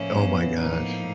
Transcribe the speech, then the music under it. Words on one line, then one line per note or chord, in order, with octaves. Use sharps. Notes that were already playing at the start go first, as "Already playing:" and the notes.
Oh my gosh.
Already playing: A2 F3 A#3 C#4 E4
B3
A2 F3 A#3 D#4